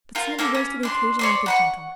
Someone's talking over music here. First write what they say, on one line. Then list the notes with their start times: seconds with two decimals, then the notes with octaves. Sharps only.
But Sandy rose to the occasion like a gentleman.
0.15 F4 A#4
0.39 A#3 C#4 A4
0.55 C#4
0.83 D4 C6
1.19 C#5 D5 C6
1.46 F#5 B5 C#6